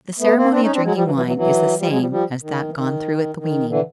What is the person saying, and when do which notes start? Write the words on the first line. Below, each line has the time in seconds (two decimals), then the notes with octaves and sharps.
The ceremony of drinking wine is the same as that gone through at the weaning.
0.19 A3 B3
0.35 A#3 C4
0.51 C4 D4
0.62 C#4 D#4
0.72 C4 D4
0.83 F#3 G#3
0.93 F3 G3
1.04 E3 F#3
1.14 E3 F#3
1.25 E3 F#3
1.36 E3 F#3
1.78 F3 G3
1.89 F#3 G#3
1.99 F3 G3
2.10 F3 G3
2.42 D#3
2.69 E3
2.74 D#3
3.37 D#3
3.68 D3 E3